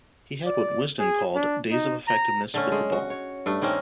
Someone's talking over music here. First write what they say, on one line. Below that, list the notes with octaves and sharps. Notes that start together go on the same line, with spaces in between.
He had what "Wisden" called "days of effectiveness with the ball".
D5
G#4
D4
D#4
A#5
D3 A3 C#4
G#3
F#4
C#5
G2 A3
D#3 A#3 C4 C#4